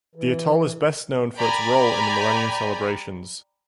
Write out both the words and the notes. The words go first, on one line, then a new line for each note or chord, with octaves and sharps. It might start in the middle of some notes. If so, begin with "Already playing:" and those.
The atoll is best known for its role in the millennium celebrations.
E3
D5 G5 G#5 A#5 B5